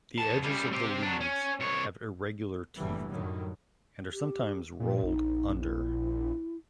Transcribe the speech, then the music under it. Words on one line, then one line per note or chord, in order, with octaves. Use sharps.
The edges of the leaves have irregular teeth and are sometimes rolled under.
E2 A5
C#3 G3
C4 G4
F#3 D4
C#4
C2 C#5
F#1 A2 D3 E3 G3
F#2 A2 D3 D#3 F#3 G3
G4
A#2 F3
A#1 D#4
E4